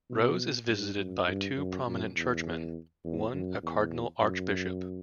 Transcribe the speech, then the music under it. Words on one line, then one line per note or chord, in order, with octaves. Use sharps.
Rose is visited by two prominent churchmen, one a Cardinal Archbishop.
B2
G2
F#2
G2
F#2
F#2
E2
E2
F#2
E2
F#2